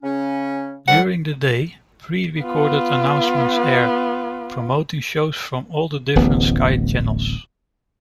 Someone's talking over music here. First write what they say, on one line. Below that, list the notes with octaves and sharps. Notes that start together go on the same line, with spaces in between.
During the day pre-recorded announcements air, promoting shows from all the different Sky channels.
C#3 C#4
F2 D3 G3 F#5
B3 F4
D1 A1 B3